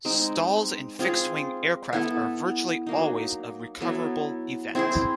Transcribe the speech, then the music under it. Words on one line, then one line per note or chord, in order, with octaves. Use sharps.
Stalls in fixed-wing aircraft are virtually always a recoverable event.
G#3 C4 D#4
C4 F4 G#4
B3 E4 A4
F#3 A#3 D#4
F#3 B3 E4 A4
C4 E4 G#4 C5